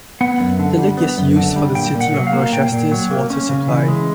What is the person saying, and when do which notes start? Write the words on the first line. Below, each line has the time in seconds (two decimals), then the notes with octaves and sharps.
The lake is used for the City of Rochester's water supply.
0.21 B3 F#5
0.40 F#2
0.59 D3
0.78 G3
0.97 B3
1.18 F#2
1.36 D3
1.56 G3
1.75 A#2 G5
1.94 A#2
2.01 F#5
2.14 F#3
2.27 F5
2.33 A#3
2.53 A#2 G5
2.72 A#2
2.92 F#3
3.11 A#3
3.30 C#4
3.49 C#3
3.68 E3
3.88 G#3